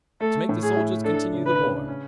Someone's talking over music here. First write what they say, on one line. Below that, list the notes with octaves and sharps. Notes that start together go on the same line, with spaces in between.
To make the soldiers continue the war.
A3 A4
A2
G#4
E4
D4 A4
C#3
B4
C#3
C#4